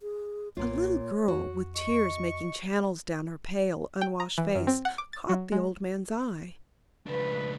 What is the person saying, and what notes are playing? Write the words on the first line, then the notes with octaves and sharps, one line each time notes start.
A little girl, with tears making channels down her pale, unwashed face, caught the old man's eye.
G#4
B1 A#2 F4 C#5
F2 F#4
D#5 C#6
G5
A#5
E3
F#2
C4
F#5
D6
A6
F#3
G#3
C#2 F3 D4 B4